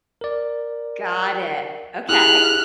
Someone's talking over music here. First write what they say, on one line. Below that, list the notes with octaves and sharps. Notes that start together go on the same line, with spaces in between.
Got it, okay.
A#4 D5
E4 G4 G#4 F6 F#6